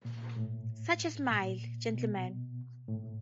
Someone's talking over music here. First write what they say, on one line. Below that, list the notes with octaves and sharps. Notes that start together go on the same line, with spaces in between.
Such a smile, gentlemen!
A#2
A2
A#2
B2
A2